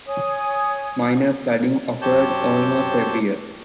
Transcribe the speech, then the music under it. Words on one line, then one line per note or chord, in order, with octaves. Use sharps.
Minor flooding occurred almost every year.
C#5 G#5 D#6
F#2 C4 G4 C#5 A5 G6